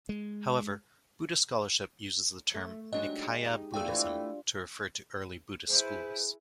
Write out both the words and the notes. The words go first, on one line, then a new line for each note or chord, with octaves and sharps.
However, Buddhist scholarship uses the term "Nikaya Buddhism" to refer to early Buddhist schools.
G#3
A3
F#3 G#3 D4 D#4 G4 D#5
D#4
E2 A3 D4 F4 G#4 C5 G5 E6
E3 A3
E4 G#4 B4 C5